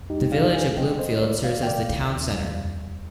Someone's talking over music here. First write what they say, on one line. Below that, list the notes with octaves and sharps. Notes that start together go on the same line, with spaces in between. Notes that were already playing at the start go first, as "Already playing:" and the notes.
The village of Bloomfield serves as the town center.
Already playing: C2 F2
G3 D#4 G4
C2 D5 F5
G3 F5 G#5
G#3 D#5 G5
C2 C5 D#5
D#3 A#4 D5
C2 D5 F5
G5
D#3 D5 F5
D#3
D#2
G3
F2
F2